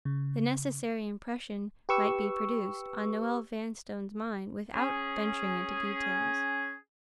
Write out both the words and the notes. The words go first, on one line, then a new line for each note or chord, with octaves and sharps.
The necessary impression might be produced on Noel Vanstone's mind without venturing into details.
C#3
G4 B4 C#6 E6
C#4 G#4